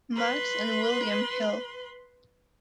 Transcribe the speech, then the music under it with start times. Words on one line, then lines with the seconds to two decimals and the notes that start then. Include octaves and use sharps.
Maxx and William Hill.
0.14 B4 C6